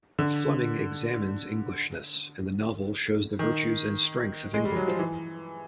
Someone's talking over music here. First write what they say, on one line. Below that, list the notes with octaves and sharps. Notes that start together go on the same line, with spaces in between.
Fleming examines Englishness, and the novel shows the virtues and strength of England.
D3
D#3
G#3
G3
F#3
F3
E3